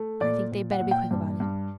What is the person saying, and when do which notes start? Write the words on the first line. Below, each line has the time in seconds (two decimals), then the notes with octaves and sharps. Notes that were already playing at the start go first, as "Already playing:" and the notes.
I think they'd better be quick about it.'
Already playing: A3
0.21 A#2 D5
0.52 A#2
0.71 F#5
0.81 A#2
0.91 G5
1.11 G2
1.40 G2